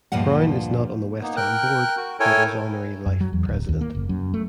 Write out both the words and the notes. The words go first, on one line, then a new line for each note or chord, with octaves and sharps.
Brown is not on the West Ham board but is honorary life president.
D2 G2 A#2 F3 F#5
A#3 B3 D#4
A#4 G5 F#6
F#4
E4 A4 A#4 C#5 G5 G#5
F#2
F#3
E2
D1
D#2
A#3
F#1
F#2
A3